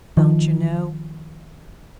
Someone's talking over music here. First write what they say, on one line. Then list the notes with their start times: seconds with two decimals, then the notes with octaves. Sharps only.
Don't you know?'
0.17 D#3 F3